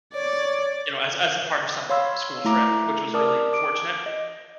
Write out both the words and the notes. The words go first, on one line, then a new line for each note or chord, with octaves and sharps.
you know, as as a part of some school trip, which was really fortunate,
C#5 D5
C#5 F5 B5 C6 E6
A3 E4 A#5 D6
A#4 D5 A5 D6 D#6
D6 D7
D#5